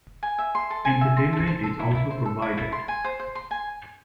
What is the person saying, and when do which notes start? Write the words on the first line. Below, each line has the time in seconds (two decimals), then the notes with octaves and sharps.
Entertainment is also provided.
0.23 G#5
0.38 E5
0.55 C6
0.70 A4
0.85 G#5
1.01 E5
1.17 C6
1.33 A4
1.47 C5
1.63 A4
1.79 E4
1.95 E4
2.10 C5
2.25 A4
2.42 E4
2.57 E4
2.72 C6
2.88 G#5
3.04 C5
3.20 C5
3.35 C6
3.51 G#5